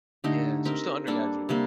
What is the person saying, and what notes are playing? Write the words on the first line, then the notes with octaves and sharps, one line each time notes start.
Yeah, so I'm still undergraduate.
D3 A3 D#4 G4
C4 G4 A#4 D#5
G3 A#3 D4 A4
C3 G3 A#3